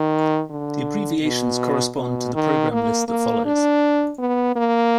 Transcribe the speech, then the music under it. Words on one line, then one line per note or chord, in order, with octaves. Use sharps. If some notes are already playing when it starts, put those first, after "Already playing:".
The abbreviations correspond to the program list that follows.
Already playing: D#3
D3
B2
B2
D#3
A#3
A#3
D4
B3
A#3